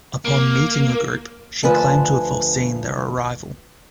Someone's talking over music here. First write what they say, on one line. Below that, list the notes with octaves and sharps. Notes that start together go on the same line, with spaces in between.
Upon meeting the group, she claimed to have foreseen their arrival.
A#3
D2 F3 B4 G#5 A5